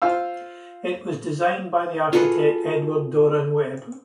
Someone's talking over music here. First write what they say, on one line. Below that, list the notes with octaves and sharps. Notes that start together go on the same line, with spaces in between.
It was designed by the architect Edward Doran Webb.
F4 C5 F5 E6
F4 F#4 G#4 A4 B4